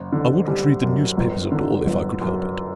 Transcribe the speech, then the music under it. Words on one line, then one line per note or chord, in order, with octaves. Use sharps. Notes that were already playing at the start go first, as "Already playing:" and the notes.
I wouldn't read the newspapers at all if I could help it.
Already playing: F#1
D3
G3
F#2
G1
D3
G1
F#2